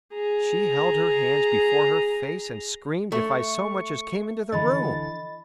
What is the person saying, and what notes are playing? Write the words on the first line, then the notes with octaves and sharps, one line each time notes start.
She held her hands before her face and screamed if I so much as came into the room.
G#4 A#5
A3 C#6
D3 E3 D#5 B5 A6